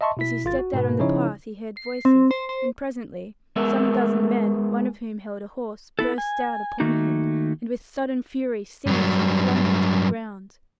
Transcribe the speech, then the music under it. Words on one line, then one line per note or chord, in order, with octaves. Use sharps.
As he stepped out on the path he heard voices, and presently some dozen men, one of whom held a horse, burst out upon him, and, with sudden fury, seized and flung him to the ground.
D#5 E5 A5 C6 C#6
B2 E4 B6
G#1 F4 A6
F#4
G#2 B2 B4
C#3 F3 C#4 D#4 E4 C#5
C7
C4
C5
C5
G#3 B3 A#4 E5
B3 E4 A4
G#5
D#3 A3 A#3 D#4 F#4
G2 F#3